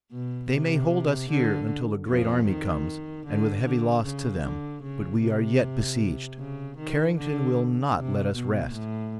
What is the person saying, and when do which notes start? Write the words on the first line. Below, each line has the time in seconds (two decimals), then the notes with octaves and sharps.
They may hold us here until a great army comes, and with heavy loss to them, but we are yet besieged. Carrington will not let us rest.
0.12 B2
0.52 C3
1.30 D3
2.08 F2 F3
2.47 D#3
3.26 D3
3.64 D3
4.04 C#3
4.43 D3
4.82 C#3
5.21 C3
6.38 C#3
6.77 D#3
7.17 D3
7.95 C3
8.34 B2
8.73 A2